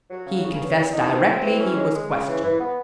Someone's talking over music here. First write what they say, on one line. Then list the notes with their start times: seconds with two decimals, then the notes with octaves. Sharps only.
He confessed directly he was questioned.
0.10 F#3
0.27 C#3
0.43 C#3
0.60 E2
0.76 E2
0.93 D#4
1.10 C4
1.26 C4
1.43 E3
1.60 C#4
1.77 G#3
1.93 G#3
2.09 C#3
2.27 E3
2.43 E3
2.60 B3